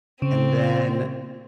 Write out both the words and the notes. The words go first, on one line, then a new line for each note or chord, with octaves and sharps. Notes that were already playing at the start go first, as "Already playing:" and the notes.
And then,
C#3 C4